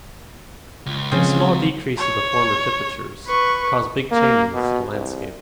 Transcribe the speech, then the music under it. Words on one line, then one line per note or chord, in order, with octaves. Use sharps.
The small decrease to the former temperatures caused big changes to the landscape.
C#2
C#3 F3 C4
C#5
B4 C#6
A#3
B2
C2